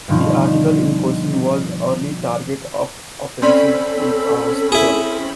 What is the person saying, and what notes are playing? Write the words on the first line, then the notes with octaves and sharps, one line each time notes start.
The article in question was "Early Target of Offensive Is a Hospital".
G2 B2 D3 D#3 F3
C4 C#4 A4 D5 B5 C6
E4 G#4